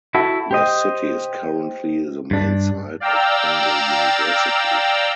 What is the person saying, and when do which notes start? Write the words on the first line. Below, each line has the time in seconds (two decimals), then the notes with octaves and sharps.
The city is currently the main site of Kongo University.
0.15 E4 F#4 A4
0.51 G4 C5 D#5
2.31 G2 D4
3.00 D5 F5 G5 A#5 E6